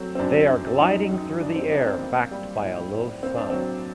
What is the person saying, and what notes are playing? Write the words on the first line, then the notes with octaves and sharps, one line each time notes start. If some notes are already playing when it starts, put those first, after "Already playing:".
They are gliding through the air, backed by a low sun.
Already playing: F#3 A3 C4
C4
F#2 D4
F#2
F#3 D#4
D#3
G2 D4
C4
G2 D4
C4
A#3
G3
A2
A2
A#3 C4
D4
F#3 C4